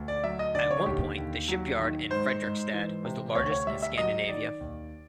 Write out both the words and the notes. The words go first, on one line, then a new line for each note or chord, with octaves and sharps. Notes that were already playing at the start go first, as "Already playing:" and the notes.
At one point the shipyard in Fredrikstad was the largest in Scandinavia.
Already playing: D2
D5
F#3 E5
D#5
D3 D5
C#5
D#2 G4
D#2
F#3
D#3
G#2 C5
G#2
E3
C3
D2 C#5
C#5
G3 E5
E5
F#3 D#5
D#3 D5
D#2